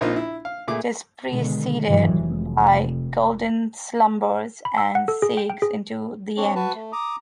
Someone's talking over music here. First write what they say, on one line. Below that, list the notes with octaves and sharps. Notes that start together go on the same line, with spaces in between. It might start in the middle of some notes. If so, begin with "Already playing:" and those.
It is preceded by "Golden Slumbers", and segues into "The End".
A#1 A#3 C4 D#4 F4
E4
F5
A#2 A3 G#4 D6
B2 D3 D#3 G#3 B3
G2 C3 D#3 E3 F#3
F1
B5
E6
F#5
A4
G#4
G5
G5
G#4
C4 D4 C#5
F#4 B4 A5
A3
A#5 D6 D#6